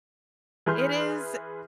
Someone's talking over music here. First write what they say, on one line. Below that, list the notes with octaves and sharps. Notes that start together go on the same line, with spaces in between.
It is
E3 G#4 B4 C6 F6 G6